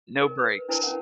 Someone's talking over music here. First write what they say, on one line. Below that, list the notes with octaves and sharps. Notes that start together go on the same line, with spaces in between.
No breaks.
D#4 A#4
B4
D4 E4 A#4 B4 A5
C#4 A#4 F#5